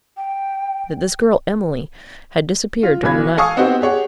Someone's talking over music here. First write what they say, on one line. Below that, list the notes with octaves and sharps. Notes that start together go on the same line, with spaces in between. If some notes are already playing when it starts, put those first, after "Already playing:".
"That this girl, Emily, had disappeared during the night?"
G5
F4
B1 E3 B5 G#6
A4 F5 G#5 C#6 D#6
B3 C4 D#4 F#4 G4 C5
G4 G#4 C#5 F#5